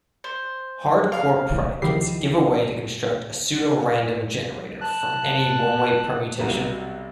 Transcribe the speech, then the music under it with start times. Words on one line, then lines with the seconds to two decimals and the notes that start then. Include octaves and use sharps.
Hard-core predicates give a way to construct a pseudorandom generator from any one-way permutation.
0.24 C5
1.12 F5
1.82 C#2 D#3 F3 E4 G4 C7
4.81 A5 F#6
6.39 B1 C3 G3 F#4 F#5 A#5